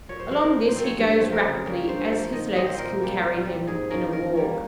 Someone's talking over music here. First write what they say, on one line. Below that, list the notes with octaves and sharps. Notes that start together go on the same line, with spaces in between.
Along this he goes rapidly as his legs can carry him--in a walk.
A#2 C#5
C5
G#3 C#4 C5
A#4
A#2
C5
F3 C4
C#5
G2 C#5
C#5
F3 C4 C5
A#4
C#3 G#4
G3 A#3 C#4
G2 C5
F3 A#3
D#3 D#5
G#3 C4 D#5
C5
A#2 A#4
G3 A#3
A#2
G3 C4
G#2 G#4
D#3 A#3 C#4 A#4
D#3 A#4
G3 A#3 C#4